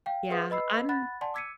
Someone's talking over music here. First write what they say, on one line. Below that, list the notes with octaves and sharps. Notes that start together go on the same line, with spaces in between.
Yeah, I'm
F5 G5
G#4 B4 E5 F#5 C6 D#6
B4 D#5 B5 E6 C7
F#5 B5 F#6 A6
D5 F#5 G#5 A5 C6
D6 E6 G#6 B6 C#7 D#7